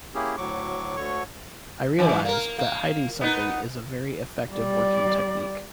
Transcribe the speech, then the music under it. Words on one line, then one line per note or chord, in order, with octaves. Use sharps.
I realized that hiding something is a very effective working technique.
A#3 C#4 E4 G4 G#4
D2 A2 F#3 C#6 D6
D2 D3 C#5 C#6
F#2 E3
A#3 A#4
A#3
B3 D#4
G3 D5